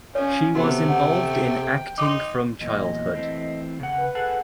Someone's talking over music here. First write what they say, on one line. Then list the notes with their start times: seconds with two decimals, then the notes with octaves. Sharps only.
She was involved in acting from childhood.
0.15 F3 C#4 C#5
0.55 C3 A3 B3 F#4
0.89 F#5 G5
1.98 D#4 C6 D6
2.61 E2 A#2 F#3 D#5
3.14 E3 A3 C4
3.80 C#3 F#5
3.98 B4
4.15 G#4 A4 F#5